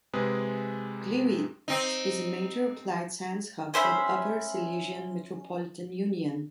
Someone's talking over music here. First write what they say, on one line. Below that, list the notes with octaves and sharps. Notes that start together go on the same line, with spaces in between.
Gliwice is a major applied science hub for the Upper Silesian Metropolitan Union.
C3 G#3 G#4 B4
C4 D#4
C#4 C5 E5 B5